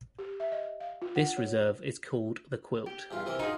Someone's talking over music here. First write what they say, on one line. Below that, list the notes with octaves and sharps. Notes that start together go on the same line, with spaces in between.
This reserve is called the quilt.
G4
E5
D#5
F5
F4
F#5
C#5
G4
E2 G2 F4
C3 E3 A#4
D#4 F4 F#4 G#4